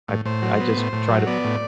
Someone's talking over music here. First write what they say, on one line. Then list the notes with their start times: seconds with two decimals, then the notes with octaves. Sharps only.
I I just try to
0.08 A2
0.25 A2 C5
0.42 F#3
0.60 B3
0.77 A2
0.93 A2
1.10 F#3
1.27 B3 D5
1.44 A2